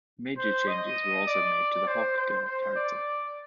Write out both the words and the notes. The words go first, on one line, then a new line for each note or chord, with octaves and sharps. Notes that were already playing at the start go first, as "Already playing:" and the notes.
Major changes were also made to the Hawkgirl character.
C5
D#5
D5
C5
C5
C5
D5